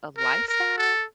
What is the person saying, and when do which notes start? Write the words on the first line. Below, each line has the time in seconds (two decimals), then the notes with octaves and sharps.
a lifestyle?
0.18 A#4
0.48 A#4
0.78 A4